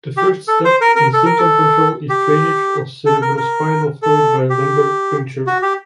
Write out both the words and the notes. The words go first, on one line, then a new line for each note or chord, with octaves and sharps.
The first step in symptom control is drainage of cerebrospinal fluid by lumbar puncture.
G4
A4
C5
A#4
A#4
A4
A#4
A4
G4
A4
A#4
A#4
A4
G4
F#4
G4